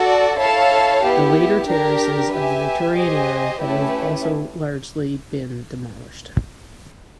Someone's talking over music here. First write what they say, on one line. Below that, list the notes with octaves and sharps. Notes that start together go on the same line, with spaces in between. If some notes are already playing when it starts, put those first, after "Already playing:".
The later terraces, of the Victorian era, have also largely been demolished.
Already playing: F#4 A4 D5
E4 A4 C#5 F5 A5
B3 E4 G4
D4 G4 A#4
G4 B4 E5 G#5
G4 C5 D#5 G#5
A3 C#4 E4 G4 B4